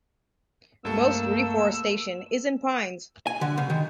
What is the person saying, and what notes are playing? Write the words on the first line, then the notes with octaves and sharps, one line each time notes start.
Most reforestation is in pines.
C#2 G2 A3 A#3 A4 E6
G#5
D3
C#3
D#3